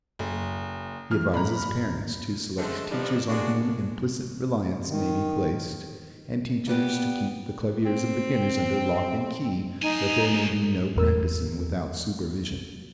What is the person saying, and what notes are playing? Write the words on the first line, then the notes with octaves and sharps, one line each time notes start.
He advises parents to select teachers on whom implicit reliance may be placed, and teachers to keep the claviers of beginners under lock and key that there may be no practicing without supervision.
F#1 F#2
E3 F6
A#2 A#5 B5
G2
D3 E3 G#3 A3 C4
E3 F3 G3 D4 D#4
G#3 A#3 D4 F#4
D#3
D#2 G3 B3 G4
C4
A2 D#4 G#5
G#1 E2 A#4 E6